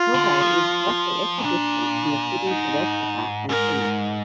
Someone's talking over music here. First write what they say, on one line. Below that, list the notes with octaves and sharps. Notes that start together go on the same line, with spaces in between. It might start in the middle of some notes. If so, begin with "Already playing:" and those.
Torbay is roughly equidistant from the cities of Exeter and Plymouth.
Already playing: F4
D3
F3
G#2
A#2 D4
G#2 D#4
G#2 A#4